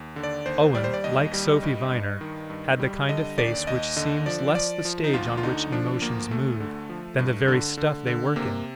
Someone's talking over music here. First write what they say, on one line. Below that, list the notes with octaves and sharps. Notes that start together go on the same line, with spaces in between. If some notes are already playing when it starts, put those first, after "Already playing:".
Owen, like Sophy Viner, had the kind of face which seems less the stage on which emotions move than the very stuff they work in.
Already playing: D#2
D3
D5
D#2 C5
G3 D5
C5
D5
D#2 D#5
G3
G2
G2
D#3
G2
G3
D3 D#5
D#2 D5
D#2 D#5
D3 D#5
F3 D5
F3 D5
F3
D#4
D2 F4
F4
D3 D#4
F3 D4
D2 A#3
D2 A3
D3
F3
G2
D3
D3
D3
C3 A#3